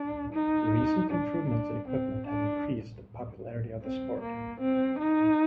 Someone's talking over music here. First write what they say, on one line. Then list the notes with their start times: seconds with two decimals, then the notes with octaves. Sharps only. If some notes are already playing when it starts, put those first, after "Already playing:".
Recent improvements in equipment have increased the popularity of the sport.
Already playing: D4
0.33 D#4
1.10 D4
1.49 D4
1.88 C4
2.27 D4
3.82 C4
4.21 A#3
4.60 C4
4.99 D#4